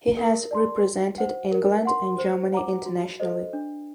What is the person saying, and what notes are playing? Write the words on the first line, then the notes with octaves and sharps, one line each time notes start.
He has represented England and Germany internationally.
A#4
D5 A5 C6
F#4
C5 F#5
A#4
F#5 C6
C5
F#5 A#5 D6
F#4
A4 C5 D#5
D4